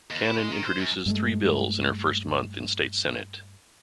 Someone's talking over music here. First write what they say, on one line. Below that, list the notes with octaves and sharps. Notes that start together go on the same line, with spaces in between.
Cannon introduces three bills in her first month in state senate.
D#2
E4
G#3
D#3
C5
F#2
G2 G#3 A3